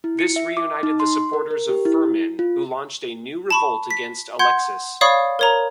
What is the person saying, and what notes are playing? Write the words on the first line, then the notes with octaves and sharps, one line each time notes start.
This reunited the supporters of Firmin, who launched a new revolt against Alexis.
E4
C#7
E5
D6
D#4
C6
A#4
A#4
G4
E4
F4
A5 B5 C#6
B6
F#5 C6 G6 G#6
C#5 D5 F5 B5 C#6 D#6
A#4 C#5 A#5